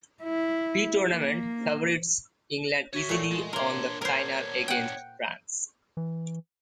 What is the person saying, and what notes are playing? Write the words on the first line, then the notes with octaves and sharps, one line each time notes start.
Pre-tournament favourites England easily won the final against France.
E4
A#3
F#4 C#5 E5
A#2 A3
G#3 F4
A#3 D4 A#4 C#5 C6
B3 D4 A#4 C5 C#5
F#5 G5
E3